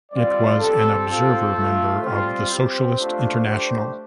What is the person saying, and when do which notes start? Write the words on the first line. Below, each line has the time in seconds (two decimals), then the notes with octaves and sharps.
It was an observer member of the Socialist International.
0.12 G3 C4 F4 D5
0.59 C4 G4 A4
1.08 C4 F4
1.55 A3 F4
2.03 G3 C4 F4 C5
2.50 C4 G4 C5
2.98 A3 D4 F4
3.45 A3 D4 G4